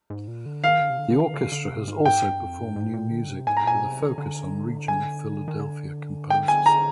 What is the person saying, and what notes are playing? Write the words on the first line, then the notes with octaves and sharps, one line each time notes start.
The orchestra has also performed new music, with a focus on regional Philadelphia composers.
G#2
A#2
D3
D#3 F5
D3
C3
D3
D3
D#3
D3
D3
C3
G#2
G#2 G5
G2
F2
G2
G#2
A#2
D3
C3
G#2 G#5
A#5
A#2 G#5
C3
D3
D3
G#5
D#3
D3
G5
G#5
A#5